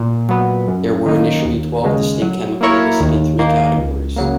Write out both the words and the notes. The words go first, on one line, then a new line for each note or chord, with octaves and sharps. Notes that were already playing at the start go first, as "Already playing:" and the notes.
There were initially twelve distinct chemicals listed in three categories.
Already playing: A#2
F#3 B3
F#2
D#3 A#3 D#4
D#2
C#3 G#3
F#3
A#3 E4 A#4 C#5
D#2
D#3 A#3
C#2
C#3 F#3 A#3